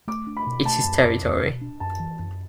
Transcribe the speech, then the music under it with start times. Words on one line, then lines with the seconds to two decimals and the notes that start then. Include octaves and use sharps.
It's his territory.
0.08 A3 D6
0.27 D4
0.37 B5
0.47 B2
0.65 A3 A5
0.84 F#2
1.04 F#2
1.23 E2
1.42 B2
1.61 D4
1.80 F#2 A5
2.00 E3
2.19 F#2